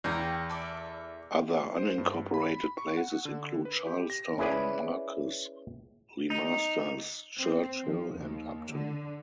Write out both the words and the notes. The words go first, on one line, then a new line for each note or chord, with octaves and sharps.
Other unincorporated places include Charlestown, Markes, Lemasters, Church Hill, and Upton.
E2 F5 G5 A#5
A4 D5 E5
C5
G2
B5
C#6
F#5
D3
B4
G4
A#6
C#4 E4 G#4 B4 D5
D#4
C4
F3
D#2
D3